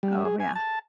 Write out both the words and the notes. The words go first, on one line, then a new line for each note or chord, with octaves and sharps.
Oh, yeah.
G3
G#4
G#5
A5